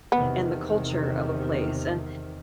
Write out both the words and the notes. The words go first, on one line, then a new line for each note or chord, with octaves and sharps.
and the culture of a place." And,
E2 C3 D#3 B3